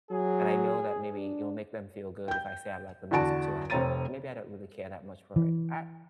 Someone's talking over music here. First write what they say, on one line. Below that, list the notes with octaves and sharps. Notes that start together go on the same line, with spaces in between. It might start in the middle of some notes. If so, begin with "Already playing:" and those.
and I know that maybe it will make them feel good if I say I like the music too, and I maybe I don't really care that much for it, I
F#3 G#4
D4
G5 G6
E2 D3 F#4 A5 D7
F1 C4 C#5 A#5 A6 D#7
E3